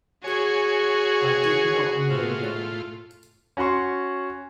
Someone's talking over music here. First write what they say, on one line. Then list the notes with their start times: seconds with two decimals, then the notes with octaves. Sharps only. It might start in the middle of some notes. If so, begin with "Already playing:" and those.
I did not know then.
0.24 F#4 G#4 C#5 G#5
2.10 A2 F4
3.57 C#4 F#4 F#5 C6 C#6